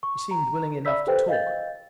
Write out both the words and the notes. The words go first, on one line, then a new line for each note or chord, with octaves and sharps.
She seemed willing enough to talk.
C#6
A#5
D5 E5 B5 E6 B6
G4 A4 B4 C5 G5
D#5 F5 G5 G6 A6